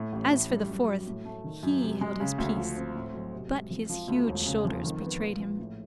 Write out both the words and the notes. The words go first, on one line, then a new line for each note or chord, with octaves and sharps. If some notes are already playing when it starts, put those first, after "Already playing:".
As for the fourth, he held his peace, but his huge shoulders betrayed him.
Already playing: A2
A1
A2
G3
F#2
F#3
A2
A3
D#3
F#2
C3
G#3
C#3
D2
F3
C4
A2
B1
C3
G#3
F2
F3
D2
E1
C#3
F2
D#3
B3
A#2
A#1
A2